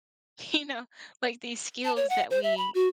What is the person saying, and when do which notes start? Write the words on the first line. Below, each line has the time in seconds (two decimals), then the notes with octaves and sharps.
you know, like, these skills that we
1.84 A5
1.96 C#5
2.10 F#5
2.31 C5
2.43 E5
2.57 B5
2.74 F#4